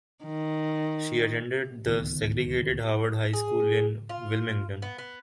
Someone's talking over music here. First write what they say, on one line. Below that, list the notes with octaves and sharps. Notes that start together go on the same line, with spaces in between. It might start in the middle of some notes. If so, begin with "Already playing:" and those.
She attended the segregated Howard High School in Wilmington.
D#3
D1 C#2 D#3 B3
G#4
F4
B3
B3